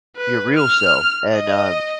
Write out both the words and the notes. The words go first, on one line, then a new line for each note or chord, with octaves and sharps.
your real self and, um,
B4
F6
D#5